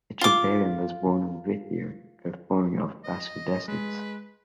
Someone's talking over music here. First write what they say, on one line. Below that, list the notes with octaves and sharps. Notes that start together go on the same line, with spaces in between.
Etchebarren was born in Whittier, California of Basque descent.
F4 D6
D#5
G#3 B4